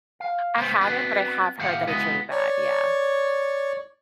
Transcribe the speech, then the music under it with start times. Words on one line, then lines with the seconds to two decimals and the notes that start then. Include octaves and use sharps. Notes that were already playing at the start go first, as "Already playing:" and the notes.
I haven't, but I have heard that it's really bad, yeah.
0.20 F5
0.57 C#2 B3 C5 C6
0.81 B3 C4 D4 F#4 B4
1.58 D#2 A2 G4 F5 F#5
1.87 C#3 G#3 B3 E4 F#4 D#5
2.31 C#5 D5 C#6